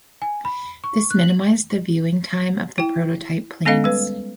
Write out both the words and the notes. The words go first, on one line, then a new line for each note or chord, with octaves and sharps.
This minimized the viewing time of the prototype planes.
G#5
B5
C#6
F#6
F#7
E4 G5
G#3 B3 C#4 A4 D#5 F5
G3 B4